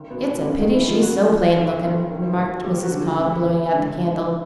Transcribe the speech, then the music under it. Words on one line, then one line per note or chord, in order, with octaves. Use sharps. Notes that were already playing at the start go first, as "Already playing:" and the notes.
"It's a pity she's so plain looking," remarked Mrs. Cobb, blowing out the candle.
Already playing: B1 D#3
B2 B3
D#3
B2 B3
D4
A#1 C#3 C#4
D#3 D#4
E3 E4
F3 F4
F#2 F#3 F#4
F3
B1
B1
D#3
D#2
F3 G3 G4
F#3 F#4
D3
F3 F4
E2 E3 E4
E2
C#2 D3 D4
C#3 C#4
C#2 C#3 C#4
D#3 D#4